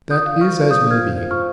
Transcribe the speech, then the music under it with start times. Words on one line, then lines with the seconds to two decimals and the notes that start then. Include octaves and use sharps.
"That is as may be."
0.11 F4 D#6 G6
0.26 F5
0.40 C5 C#6 F6
0.56 F5
0.71 F5 D#6 G6
0.85 F4
0.91 F6 G#6
1.00 F4
1.16 C5
1.31 F4 C#6 F6